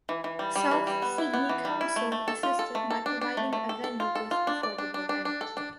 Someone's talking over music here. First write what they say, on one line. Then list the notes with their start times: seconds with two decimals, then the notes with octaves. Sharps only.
South Sydney Council assisted by providing a venue with affordable rent.
0.09 E3
0.24 E3
0.39 G3
0.56 G3
0.71 E3
0.87 G3
1.02 B3
1.18 E4
1.34 B3
1.49 E3
1.65 G3
1.81 E4
1.96 A3
2.12 A3
2.28 A4
2.43 F4
2.59 A4
2.75 A3
2.91 A4
3.06 D4
3.21 D4
3.37 A3
3.53 A3
3.69 A4
3.84 A4
4.00 F4
4.15 A4
4.31 F4
4.47 D4
4.63 D5
4.78 D4
4.94 D4
5.09 D4
5.25 D4
5.41 A4
5.57 D4